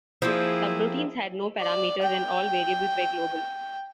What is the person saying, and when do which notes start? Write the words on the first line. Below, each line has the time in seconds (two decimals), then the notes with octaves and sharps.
Subroutines had no parameters and all variables were global.
0.22 F3 A#3 C4 E4 G#4
1.61 D5
2.02 G5